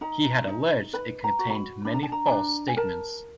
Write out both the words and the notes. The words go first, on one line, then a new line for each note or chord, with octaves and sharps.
He had alleged it contained many false statements.
D#4 A#5
D#4
B4 B5
A#5
F#4
A#5
B5
D4 B5
A#5
A5
A#5
D4
G#5
A#4 A5